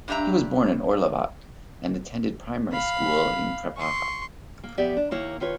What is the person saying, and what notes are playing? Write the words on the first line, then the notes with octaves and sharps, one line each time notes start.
He was born in Orlovat, and attended primary school in Crepaja.
G2 D4 G4 E5 A#5
F5 B5
C6 C#6
A#3
F2 B3 G4 D5 E5
D4
D#2 A#3 E4 C#5
D#2 F4 B4 C#5